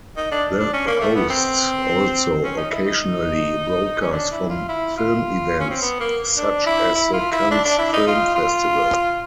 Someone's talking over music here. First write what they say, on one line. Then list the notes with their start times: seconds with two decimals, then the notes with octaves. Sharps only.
The hosts also occasionally broadcast from film events such as the Cannes Film Festival.
0.17 D#4
0.31 D4
0.59 D4
0.73 C#4
0.87 A#3
1.01 A3
1.15 B3
1.30 C4
2.43 C#4
2.57 D#4
2.71 E4
2.85 D#4
4.01 C#4
4.12 D4
4.31 E4
4.49 F4
4.68 E4
4.97 F4
5.60 C#4
5.70 C4
5.81 B3
6.00 A#3
6.37 D4
6.66 E4
6.94 E4
7.13 F4
7.32 E4
7.51 D4
7.65 D4
7.78 E4
7.93 D#4
8.07 F4
8.35 F4